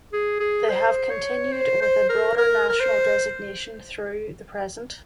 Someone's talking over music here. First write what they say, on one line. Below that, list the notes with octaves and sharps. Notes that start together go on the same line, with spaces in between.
They have continued with a broader national designation through the present.
G#4
G#4
C5
C#5
C5
C5
A#4
A#4
A#4
C5